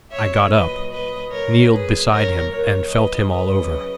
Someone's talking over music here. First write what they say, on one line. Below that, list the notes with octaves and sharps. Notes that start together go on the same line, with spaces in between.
I got up, kneeled beside him, and felt him all over.
A#2 F#3 C#5 E5
B4 D#5
B4 D#5
A#4 C#5
A#2 F#3 G#4 B4
A#4 C#5
A#4 C#5
B4 D#5
C#3 F#3 B4 D#5